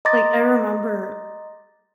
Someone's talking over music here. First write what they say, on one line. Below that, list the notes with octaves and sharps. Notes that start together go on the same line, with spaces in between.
Like, I remember
D#5 A#5 C6 D6 A6 A#6